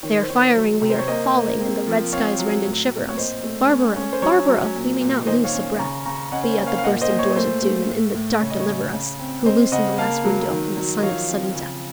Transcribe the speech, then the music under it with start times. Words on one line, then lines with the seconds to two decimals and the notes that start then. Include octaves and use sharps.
They are firing, we are falling, and the red skies rend and shiver us, Barbara, Barbara, we may not loose a breath-- Be at the bursting doors of doom, and in the dark deliver us, Who loosen the last window on the sun of sudden death.
0.03 D#3 C#5
0.23 C5
0.29 D#3 C#5
0.56 F#3
0.82 C3
0.90 C5
0.99 C#5
1.08 A#3 C5 D#5
1.34 A#3
1.60 C4
1.87 F3
2.12 C4 C#5 F5
2.39 F#3
2.65 A2
2.91 C4
3.09 C#5
3.17 A#2 C5 D#5
3.43 A3
3.70 C#4
3.96 C#4
4.13 C5
4.22 F#3 C#5
4.48 F#3
4.75 A#2
5.01 A#2
5.27 D#3 C5 D#5
5.44 C#5 F5
5.53 C#4
5.79 C#3 A#5 C#6
6.05 C#3 A#5 C#6
6.32 C#4 D#5 F#5
6.43 C5
6.49 C#5
6.58 A#3
6.66 C#5 F5
6.78 F5
6.84 A#2 D#5 F#5
7.01 C5 D#5
7.10 A#2
7.19 C#5
7.36 A3 C5
7.63 A3
7.89 A2
8.15 A2
8.41 C#3 C#5
8.50 D#5
8.60 C#5
8.68 C#3
8.93 C#3
9.19 C4
9.45 C4 C5 D#5
9.72 C#3 D#5 F#5
9.98 A#3 F5 A5
10.24 F#3
10.50 D#3
10.77 F#3
10.97 D#5
11.03 F3 C#5 F5
11.29 C4
11.55 C#3